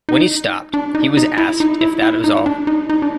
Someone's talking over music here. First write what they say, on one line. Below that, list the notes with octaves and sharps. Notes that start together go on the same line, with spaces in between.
When he stopped, he was asked if that was all.
D#4
D4
D#4
D#4
E4
D#4
E4
E4
D#4
D4
D#4
D#4
D4